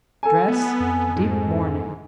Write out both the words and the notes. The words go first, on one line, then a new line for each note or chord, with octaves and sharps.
Dress--deep mourning.
A4 G#5
B3
F2
G#2